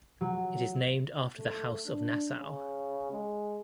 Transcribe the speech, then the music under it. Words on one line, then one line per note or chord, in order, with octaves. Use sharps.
It is named after the House of Nassau.
F#3
A3
D4
C#3
G#3